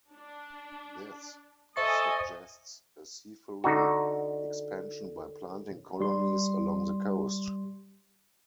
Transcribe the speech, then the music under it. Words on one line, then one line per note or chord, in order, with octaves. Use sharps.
This suggests a seafaring expansion by planting colonies along the coast.
D4
A4 C5 D#5 E5 G#5 C#6
D3 D#4 F#4
G3 C6